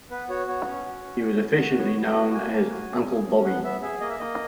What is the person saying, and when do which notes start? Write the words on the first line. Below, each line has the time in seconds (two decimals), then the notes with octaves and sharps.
He was affectionately known as "Uncle Bobby".
0.11 B3 B4
0.29 F#4 C#5
0.48 B3 C#5
0.66 C#4 C#5
0.85 F#4
1.04 C#4
1.22 B3
1.41 B3
1.59 F#4
1.78 B3 C#5
1.96 B3
2.06 D#5
2.15 F#4
2.34 A#3 G#5
2.52 A#3
2.70 F#4
2.89 C#4
3.07 G#4
3.26 C#4
3.45 B3 F#5
3.63 B3 E5
3.82 G#4 E5
4.00 A#3 D#5
4.10 E5
4.19 A#3 D#5